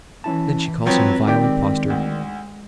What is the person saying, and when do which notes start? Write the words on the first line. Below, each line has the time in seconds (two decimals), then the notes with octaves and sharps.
Then she calls him vile impostor.
0.24 E3 C#4 E4 A5
0.86 F3 F#3 G#3 C4 B4 C#5 G5
1.28 D#3 G#3 G4 D5 G5
1.90 D2